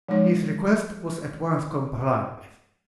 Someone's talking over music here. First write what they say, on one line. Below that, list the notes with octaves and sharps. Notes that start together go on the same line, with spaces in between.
His request was at once complied with.
F3 G#3 D#4 C#5